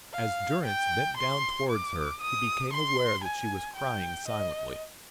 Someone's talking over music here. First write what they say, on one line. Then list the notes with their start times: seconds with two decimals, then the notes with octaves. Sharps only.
As Durrance bent down towards her, he became aware that she was crying silently.
0.13 F5
0.66 G5
1.17 C6
1.70 D6
2.21 D#6
2.73 C6
3.24 G#5
3.76 G5
4.28 D#5